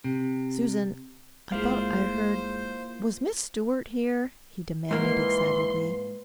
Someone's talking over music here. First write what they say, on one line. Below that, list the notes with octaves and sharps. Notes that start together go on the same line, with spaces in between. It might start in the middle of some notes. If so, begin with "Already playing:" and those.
"Susan, I thought I heard--WAS Miss Stewart here?" he demanded excitedly.
C3
C2 G#3 A#3 E4 F4 G#4 C5 F5
G#2 E3 A#3 B4 C6